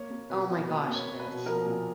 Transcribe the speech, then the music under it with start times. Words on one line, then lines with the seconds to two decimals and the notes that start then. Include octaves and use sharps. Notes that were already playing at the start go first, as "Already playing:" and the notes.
Oh, my gosh, yes.
Already playing: A#3 C#5
0.10 A#3
0.30 B2 B4
0.49 B2
0.69 A#3 B4
0.88 A#3
0.95 C#5
1.07 B2
1.20 B4
1.27 B2
1.46 F3 A#4
1.66 A#2